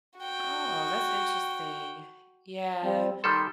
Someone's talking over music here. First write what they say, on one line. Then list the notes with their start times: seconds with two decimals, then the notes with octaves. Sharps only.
Oh, that's interesting. Yeah,
0.19 F#4 G5
2.83 G3 C4
3.24 D#3 G3 A4 C6